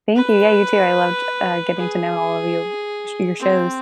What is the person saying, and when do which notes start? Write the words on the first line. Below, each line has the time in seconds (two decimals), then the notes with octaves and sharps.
Thank you, yeah, you too, I loved, uh, getting to know all of you sh your shows.
0.15 B4
1.77 G#4
3.40 C4